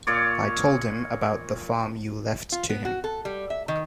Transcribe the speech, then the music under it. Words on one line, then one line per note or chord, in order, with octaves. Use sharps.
I told him about the farm you left to him.
A#2 C#5 D5
F4
B3
F#4
A4
G3
E5
D#3